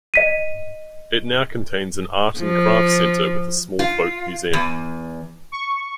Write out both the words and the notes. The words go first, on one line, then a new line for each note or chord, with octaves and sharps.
It now contains an art and craft centre with a small folk museum.
D#5 B6 D#7
F3
F4
E2
C#6